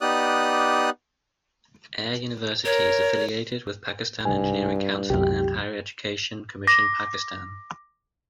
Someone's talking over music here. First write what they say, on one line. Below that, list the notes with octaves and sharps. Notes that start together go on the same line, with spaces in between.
Air University is affiliated with Pakistan Engineering Council and Higher Education Commission Pakistan.
B3 D#4 G4 D5 D#6 F#6
A#4 C#5
C2 G2 G#5
C2 F#2 G4
D6 A#6